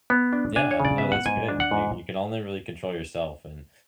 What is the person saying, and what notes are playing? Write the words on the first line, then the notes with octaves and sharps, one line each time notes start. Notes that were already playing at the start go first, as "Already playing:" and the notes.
Yeah, no, that's good. You you can only really control yourself and
B3
D4
D4 G#5
C#5
C#3
D5
B3 E5
F#5
G#2 G#5
D4
F#5
G#2